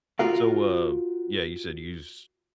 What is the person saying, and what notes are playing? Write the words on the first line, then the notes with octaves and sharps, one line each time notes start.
So, uh, yeah, you said you use
F4 F#4 A#4 F5